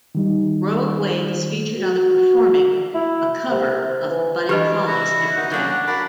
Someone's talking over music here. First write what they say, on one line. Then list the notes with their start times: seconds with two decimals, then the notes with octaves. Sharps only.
Rogue Wave is featured on the performing a cover of Buddy Holly's "'Everyday'".
0.15 D#3 G3 D#4
1.78 F#4
2.94 E4
3.50 C3
4.09 E3
4.49 E3 D4 G4 B4 D#5
4.87 E4 F#4
5.36 D#4 F#4
5.51 F#3 A#3 C#4 D4
5.88 D4 F#4 A#4 A5 B5